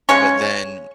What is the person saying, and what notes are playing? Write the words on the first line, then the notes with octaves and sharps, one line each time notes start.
but then
C#3 G#3 C#4 C#5